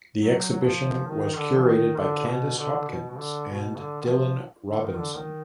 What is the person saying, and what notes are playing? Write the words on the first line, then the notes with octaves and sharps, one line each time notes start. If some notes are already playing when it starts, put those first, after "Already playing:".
The exhibition was curated by Candice Hopkins and Dylan Robinson.
F#3
F#3
F3
D#3
D3
F3
D#3
D3
B2
D3
B2
B2
D3
B2
D3
D#3
F3
D3
D#3
D3
D#3